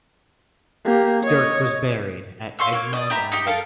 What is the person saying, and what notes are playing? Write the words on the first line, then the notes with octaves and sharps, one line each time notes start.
Dirk was buried at Egmond Abbey.
A#3 G4
C#5 D#5
F5 C6 C#6 E6
A#3 C#5
D5 D#5
G4 E5 A#5 B5
D#4 G4
A4 A#4 F5